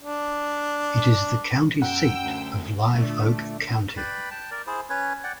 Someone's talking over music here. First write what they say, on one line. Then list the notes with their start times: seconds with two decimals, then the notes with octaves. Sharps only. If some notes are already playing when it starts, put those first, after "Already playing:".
It is the county seat of Live Oak County.
0.02 D4
1.82 F#2 F#5 G5 E6
2.23 D2
2.95 A#2 D3 A3 D4
3.97 B4 D5 G5 B5
4.31 G5 A5
4.51 A#4 D5
4.67 E4 G#4 C5
4.90 C#4 B4 C#5
5.24 D5 F#5 G5